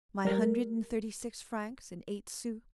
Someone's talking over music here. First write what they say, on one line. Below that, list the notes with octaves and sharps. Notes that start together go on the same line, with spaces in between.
My hundred and thirty-six francs and eight sous.
G3 A#4